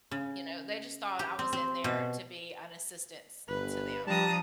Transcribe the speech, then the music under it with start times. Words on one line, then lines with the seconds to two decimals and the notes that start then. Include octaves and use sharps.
You know, they just thought I was in there to be an assistance to them,
0.11 C#3
1.19 G4
1.39 C4
1.53 C4
1.84 B2
3.48 G1 B4
4.07 F3 G3 D4 A5 A#5 D#6